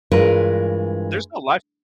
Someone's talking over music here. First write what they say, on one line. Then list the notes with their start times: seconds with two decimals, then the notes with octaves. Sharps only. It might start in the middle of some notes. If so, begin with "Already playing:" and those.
there's no lifeguard.
0.12 G2 E3 G#3 F4 A#4 B4